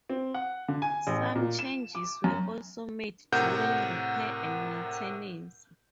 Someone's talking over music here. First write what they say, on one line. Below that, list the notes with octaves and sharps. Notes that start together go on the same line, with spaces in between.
Some changes were also made during repair and maintenance.
C4
F#5
D3
G#5
A1
A#2
E7
D6
F#2
A2 C3 A#4 F#5 G6